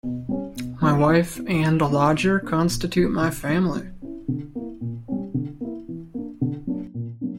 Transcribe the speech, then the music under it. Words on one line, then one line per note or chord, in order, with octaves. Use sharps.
My wife and a lodger constitute my family.
B2
G3 C#4
B2
F#3 B3 E4
E3
B3 E4
E3
A#3 C#4 E4
B2
A#3 D4
A#2
F#3 C#4 E4
D3
F#3 A#3 E4
F#3
C#4 E4
D3
A#3 E4
A#2
G3 C#4
D3
A#3 E4
E3
A#3 D4
D3
F#3 A#3 D4
A#2
F#3 A#3 D4